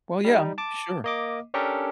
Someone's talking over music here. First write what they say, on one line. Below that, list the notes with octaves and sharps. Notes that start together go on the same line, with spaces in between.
Well, yeah, sure.
G3 D#4
A5 D6
A#3 D#5 D6
C#4 D4 G4 A4 A#4